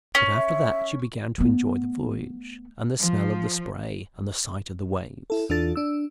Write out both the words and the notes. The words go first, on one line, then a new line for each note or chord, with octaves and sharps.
But after that she began to enjoy the voyage and the smell of the spray and the sight of the waves.
C#4
E5
A3 B3
F3
E4 A4
E2 E3 D4 F4 A4 A6
D4 E6